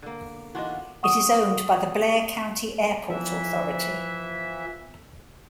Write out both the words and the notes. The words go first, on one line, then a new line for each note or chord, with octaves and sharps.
It is owned by the Blair County Airport Authority.
D3 A#3
E3 D4 D#4 F4 F#4
F#5 C#6 D#6
E3 F3 E5